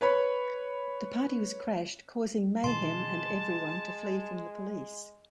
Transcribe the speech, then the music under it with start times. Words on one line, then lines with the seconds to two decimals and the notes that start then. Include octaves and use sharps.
The party was crashed, causing mayhem and everyone to flee from the police.
0.01 B4 C#5 B5
2.64 B2 D#3 E3 G#3 A5 C6